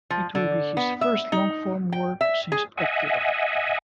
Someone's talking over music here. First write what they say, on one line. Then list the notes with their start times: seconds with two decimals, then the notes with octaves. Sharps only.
It will be his first long-form work since "Akira".
0.10 F3
0.35 D3
0.77 B3
1.01 E5
1.32 D#4
1.92 G5
2.21 E5
2.52 G#4
2.77 D#5 E5 F#5 G#5